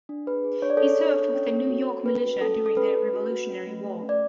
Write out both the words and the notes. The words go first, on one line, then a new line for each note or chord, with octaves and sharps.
He served with the New York Militia during the Revolutionary War.
D4
G#4 B4
G#4
D4 C#5
D5
G#4 A4 C#5
D4
D4
C#4
C#4
F#4
A4
C#4 B4
F#4
C#4 A4
C#4
A4
C#4 B4
C#4
F#4
F#4
C#4
A3
A3
C#4
D5